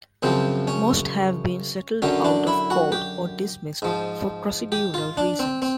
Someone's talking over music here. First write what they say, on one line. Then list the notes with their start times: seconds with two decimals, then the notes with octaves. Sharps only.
Most have been settled out of court or dismissed for procedural reasons.
0.23 F#2 C#3 F3 C4
0.67 C#4
2.02 F#2 D3 F#3 C#4
2.25 D4
2.47 E4
2.70 F#4
2.92 G4
3.82 G#2 F3
4.72 G4
4.94 F4
5.17 D4
5.39 C4
5.62 C4